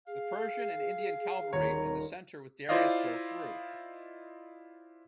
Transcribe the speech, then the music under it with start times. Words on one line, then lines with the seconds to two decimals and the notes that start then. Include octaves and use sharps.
The Persian and Indian cavalry in the center with Darius broke through.
0.07 G#4 F5
1.53 D#1 C#5 A#5
2.69 E4 F4 C5 D5 D#5 F5